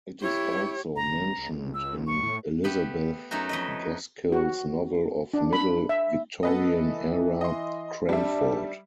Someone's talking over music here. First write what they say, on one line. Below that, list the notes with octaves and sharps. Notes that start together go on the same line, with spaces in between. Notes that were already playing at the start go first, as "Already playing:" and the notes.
It is also mentioned in Elizabeth Gaskell's novel of middle Victorian era, "Cranford".
E4 G4 C#5
F#1 A#5
G#1
C#2
E6
B1 C#6
A2
A3 B3 G4
F#2 A3 C#4 D#4 F#4
F2 B4 D#5
F#4
D4
B5
E5
B3 A4 B4 D#5
E3
D#5 C6
G3 D4 E5